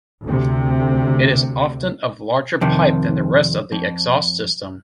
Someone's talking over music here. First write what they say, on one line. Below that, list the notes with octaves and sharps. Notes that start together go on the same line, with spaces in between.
It is often of larger pipe than the rest of the exhaust system.
D2 C3
F2 C3 D#3
F2